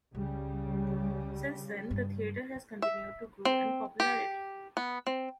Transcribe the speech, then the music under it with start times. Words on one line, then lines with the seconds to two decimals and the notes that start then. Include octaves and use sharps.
Since then, the theater has continued to grow in popularity.
0.15 C#2 C#3 G3
1.91 G2
2.82 E5
3.45 C4
4.00 G4
4.77 B3
5.07 C4